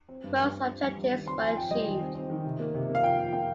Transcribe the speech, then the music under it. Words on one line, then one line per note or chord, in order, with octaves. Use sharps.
Most objectives were achieved.
C4
G2
G3
C4
C4
G3
G3
D#3
C4 C6
F2 G#5
F2 G5
G3 D#5
D#3
C4
C4
D#3
C3
A#3
C3
A#3
F5
F2 G5
F2
A#3 G5